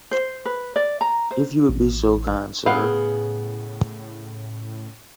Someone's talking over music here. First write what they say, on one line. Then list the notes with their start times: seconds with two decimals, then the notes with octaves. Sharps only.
If you would be so kind, sir.
0.11 C5
0.45 B4
0.76 D5
1.01 A#5
1.31 C5
1.69 A1
2.66 A2 C#3 B3 G#4 F5 G5